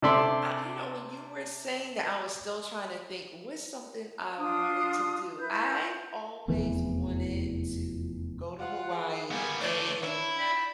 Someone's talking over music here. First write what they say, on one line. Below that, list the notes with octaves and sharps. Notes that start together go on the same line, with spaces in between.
uh, you know, when you were saying that, I was still trying to think, "What's something I wanted to do?" I've always wanted to go to Hawaii and
C3 D4 A4 D5 E5 C6
D4 F4 D#6
E4 B4 G6
F1 E2 E3
F4 F#5
G#4
G3 A#3 B3 G#5
A3 D4 C#5 D5
D4 E4
D5 G5 B5